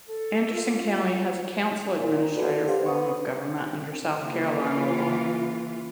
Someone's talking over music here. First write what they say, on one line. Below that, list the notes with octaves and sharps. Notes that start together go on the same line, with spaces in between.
Anderson County has a Council-Administrator form of government under South Carolina law.
A4
F4
A#2
D3 F#4 B4
G4 C5 F5
B3 C#6 D#6
C3
C#3 E3 A#3 F4